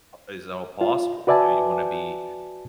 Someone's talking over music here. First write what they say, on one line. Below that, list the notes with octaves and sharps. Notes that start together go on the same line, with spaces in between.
at as all possible. You know, you wanna be
F4
F#4 B4 D5 E5 G#5 A5